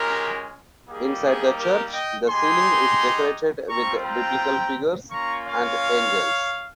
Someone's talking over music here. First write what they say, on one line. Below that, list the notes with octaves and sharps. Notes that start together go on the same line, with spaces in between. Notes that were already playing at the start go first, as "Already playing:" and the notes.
Inside the church, the ceiling is decorated with biblical figures and angels.
Already playing: G#3 C#4 F4 G4 A#4
G3 A#3 D#4 G4 G#4
G#4
G4 A#4
D#5 G5
G#3 D#4 G4 G#5 C6
G3 C4 F4 A#5 C#6
G5 A#5
A#3 C#4 F4 A#5 C#6
C#5 F5